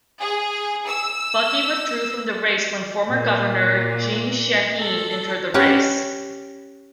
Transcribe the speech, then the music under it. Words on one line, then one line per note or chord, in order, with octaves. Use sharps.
Buckey withdrew from the race when former Governor Jeanne Shaheen entered the race.
G#4
E6
A#2
A4
C#4 G4 B4 C#5 F#5